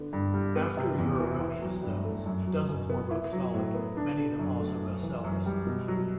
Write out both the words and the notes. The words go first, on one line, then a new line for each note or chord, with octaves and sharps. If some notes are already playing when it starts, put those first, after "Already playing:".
After "Your Erroneous Zones" dozens more books followed, many of them also best-sellers.
Already playing: D3 B3
G2
G3
B3
C3
E2
E3
E4
F#3
G2
A3
F#2
F#3
F#2
B3
E4
F#3
A2
B3
D4
D3
F#2
A3
F#2
E3
F#2
G3
B2
F#3